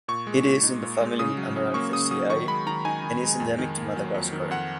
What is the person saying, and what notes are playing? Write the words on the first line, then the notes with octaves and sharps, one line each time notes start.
It is in the family Amaranthaceae and is endemic to Madagascar.
A#2 C#6
G#3
A#2
D#4
A#2
G#3
C#3 D#6
F#3
C#4
A#3 C#6
C#3 D#6
F#3 D#6
D#3 C#6
G#3 B5
D#3 A#5
D#4 G#5
D#3
G#3
F2
D#3
A#3
F#3
F2
D#3
F2 F#5